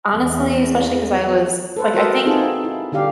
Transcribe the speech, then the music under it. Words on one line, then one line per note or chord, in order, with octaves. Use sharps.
honestly especially 'cause I was like, I think
E2
A4 B4 C5
F#4 A4 A#4 C5 D#5 E5
C4 D#4 F4 G#4 A4
E4
D3 D4 G4 F5